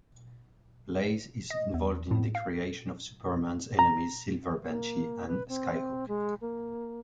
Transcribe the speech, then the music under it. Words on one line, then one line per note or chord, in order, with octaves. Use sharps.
Blaze is involved in the creation of Superman's enemies Silver Banshee and Skyhook.
D#5
E2
A2
F5
A#5
A#3
B4
C4
G#3
A#3